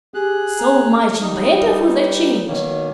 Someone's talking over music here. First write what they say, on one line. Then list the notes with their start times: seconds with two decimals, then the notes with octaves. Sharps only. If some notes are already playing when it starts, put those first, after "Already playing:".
So much better for the change!
0.14 G4 G#4 F#6
0.58 A#5
1.21 G3 D#4 D#6
1.88 B4
2.47 B2 D#3 A#3 C#5